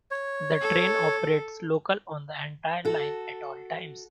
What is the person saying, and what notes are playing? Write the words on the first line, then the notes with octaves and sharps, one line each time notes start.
The train operates local on the entire line at all times.
C#5
A4
F#4 A4